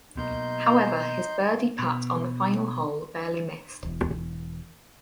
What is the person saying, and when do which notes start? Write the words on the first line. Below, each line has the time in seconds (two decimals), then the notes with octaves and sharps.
However his birdie putt on the final hole barely missed.
0.17 B2 F#3 A#3 D#4 C6 G6
1.79 B2
3.83 E1 E2